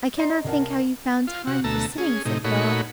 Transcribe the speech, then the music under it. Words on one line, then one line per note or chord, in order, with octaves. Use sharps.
'I cannot think how you found time for sitting,' said Philip.
D5 D#5 A#5 C6 C7
C2 C#4 A#4 F#5 A5
F4
C3 F#4
D2 B2 A3 A5 A#5 E6
C#4 G#4
A2 C3 D#4
A#2 A3 D#4 F#4 C#5 B5